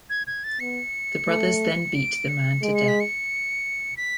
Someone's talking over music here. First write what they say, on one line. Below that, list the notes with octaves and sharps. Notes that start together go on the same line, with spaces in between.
The brothers then beat the man to death.
G#6
G#6
A6
B3 C#7
A3
D7
C#7
G#3 D7
C#7
B6
C#7
B6